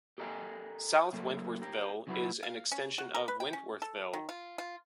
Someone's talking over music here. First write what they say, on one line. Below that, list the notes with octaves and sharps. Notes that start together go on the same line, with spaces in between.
South Wentworthville is an extension of Wentworthville.
G4 A4 A#4 D#5 G5 G#5
F#2 C#3 A3 A#3
G4 A#4
C#3 F#3 E4 F#4 B4
F5
C#4
F#4
A#4
B4
G5
C#4
A4
D#3
F4
F4